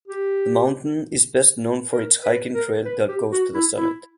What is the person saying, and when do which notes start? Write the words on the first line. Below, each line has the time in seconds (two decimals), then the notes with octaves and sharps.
The mountain is best known for its hiking trail that goes to the summit.
0.08 G4
1.92 A#4
2.24 B4
2.54 A#4
2.85 B4
3.09 G4
3.32 F#4
3.54 E4
3.78 E4